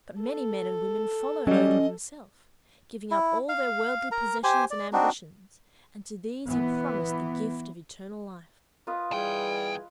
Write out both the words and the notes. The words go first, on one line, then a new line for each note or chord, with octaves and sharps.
But many men and women followed Odin himself, giving up all their worldly possessions and ambitions; and to these he promised the gift of eternal life.
A4
F#3 G3 C#4 D#5
E4
F5
A#4 A#5
G4 C5 G#5
D5
C4 D4 D#4 F#4
E3 B3
F4 B4 D#5
E2 E3 G3 G#4 G5